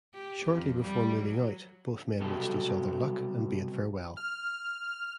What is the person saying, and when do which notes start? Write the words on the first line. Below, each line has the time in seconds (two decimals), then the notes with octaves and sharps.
Shortly before moving out, both men wished each other luck and bade farewell.
0.14 G4
0.47 F2
0.82 G3
1.21 F#3
2.20 C2 B2 F#3 G4 A4
4.17 F6